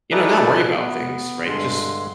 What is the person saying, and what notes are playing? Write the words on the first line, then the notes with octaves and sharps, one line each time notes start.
you know, not worry about things, right? Just
D#4 G#4 A4 B4 D5 E5
B3
G2 D3 G#3 C6